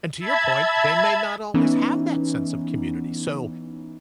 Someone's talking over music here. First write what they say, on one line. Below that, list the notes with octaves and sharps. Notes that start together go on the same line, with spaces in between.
and to your point, they may not always have that sense of community, so,
E5 A5 B5 G#6
E3 B3 C#4 D#4